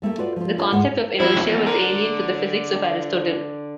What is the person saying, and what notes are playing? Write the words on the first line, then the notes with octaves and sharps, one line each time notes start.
The concept of "inertia" was alien to the physics of Aristotle.
G3 A3 A#3 G4
F4 F#4 B4 D5
F3 F4
D4 F4 G4 C#5
D2 G#2 G#3 F#5
F3 G3 C4 E4
E2
D3 A#4